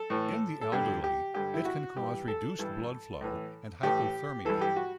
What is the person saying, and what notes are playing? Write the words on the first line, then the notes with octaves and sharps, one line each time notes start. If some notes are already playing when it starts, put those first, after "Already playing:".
In the elderly, it can cause reduced blood flow and hypothermia.
Already playing: A4
A2 E3
A4
G2 D3 G4
G4
G2 D3 G4
E4
F#4
G2 E3 G4
A4
G2 E3
A2 E3
A2 E3 G4
G2 E3 A4
G4
F#4